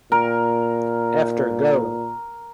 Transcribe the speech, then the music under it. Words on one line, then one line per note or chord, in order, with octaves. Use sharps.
After Go!
A#2 A#4